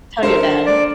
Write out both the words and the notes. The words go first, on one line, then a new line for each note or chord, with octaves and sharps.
Tell your dad.
D4 A4 A#4 C5
D5